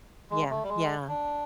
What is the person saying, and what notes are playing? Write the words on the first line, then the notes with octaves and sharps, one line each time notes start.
Yeah. Yeah.
G#3
A3
G3
G#3
D4